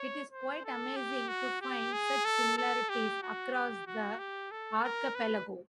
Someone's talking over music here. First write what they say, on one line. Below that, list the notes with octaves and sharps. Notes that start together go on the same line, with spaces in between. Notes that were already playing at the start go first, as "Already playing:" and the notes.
It is quite amazing to find such similarities across the archipelago.
Already playing: C#5
C5
A4
G4
F#4
G4
G#4
A4
A4
G4
F#4
G4
F#4
G4
A4
A#4
B4